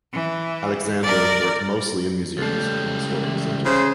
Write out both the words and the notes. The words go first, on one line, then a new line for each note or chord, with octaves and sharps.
Alexander worked mostly in museums and historical centers.
E3
A#4 D5
C#2 G3 A3 A4
E3
C#3 C5